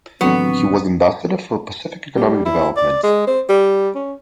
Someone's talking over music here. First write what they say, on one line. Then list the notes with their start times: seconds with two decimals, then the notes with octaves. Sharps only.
He was Ambassador for Pacific Economic Development.
0.21 A1 D#2 D3 F#3 B3 C4 C#6
2.16 G3
2.45 E4
2.76 D5
3.03 G#3
3.27 C4
3.49 G3
3.95 C#4